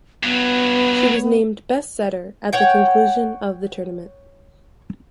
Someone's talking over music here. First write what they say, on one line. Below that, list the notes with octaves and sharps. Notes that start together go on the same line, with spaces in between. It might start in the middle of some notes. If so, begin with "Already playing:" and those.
She was named "Best Setter" at the conclusion of the tournament.
G2 F#3 B3
C#5 F#5 G5